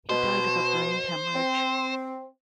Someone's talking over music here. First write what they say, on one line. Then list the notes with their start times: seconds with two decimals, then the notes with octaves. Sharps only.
He died of a brain hemorrhage.
0.09 B2 C5
1.35 C4